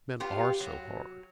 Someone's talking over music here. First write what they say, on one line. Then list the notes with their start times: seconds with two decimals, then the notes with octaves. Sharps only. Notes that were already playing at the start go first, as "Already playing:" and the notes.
Men are so hard!
0.20 B3 F4 G4
0.60 F#3